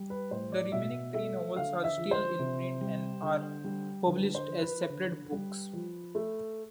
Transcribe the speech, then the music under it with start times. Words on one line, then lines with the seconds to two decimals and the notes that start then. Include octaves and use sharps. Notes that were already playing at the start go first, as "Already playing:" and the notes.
The remaining three novels are still in print and are published as separate books.
Already playing: G3
0.10 B4
0.31 A2 C5
0.52 D5
0.72 B2 E5
1.14 A3 E5
1.56 D3 F5
1.84 E5
1.98 F3
2.11 C5
2.39 C3
2.81 G3
3.23 D3
3.64 G3
4.06 D3 B4
4.35 C5
4.48 F3
4.62 B4
4.89 D3
5.32 G3
5.73 F3
6.15 A3